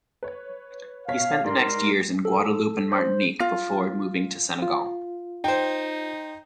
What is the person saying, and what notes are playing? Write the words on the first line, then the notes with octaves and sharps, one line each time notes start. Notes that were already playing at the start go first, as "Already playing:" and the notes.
He spent the next years in Guadeloupe and Martinique before moving to Senegal.
B4 C#5
B2 C#5 F5 B6
G#2 G3 A#4 C6
A4
C5
F4
F4
D#4 C5 G5